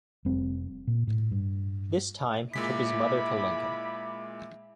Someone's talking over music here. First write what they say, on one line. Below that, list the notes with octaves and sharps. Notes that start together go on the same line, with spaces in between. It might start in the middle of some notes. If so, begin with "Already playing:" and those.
This time he took his mother to Lincoln.
F1 G3 C4
A#2
A2
G2
A#2 G#3 E4 B5 D6 B6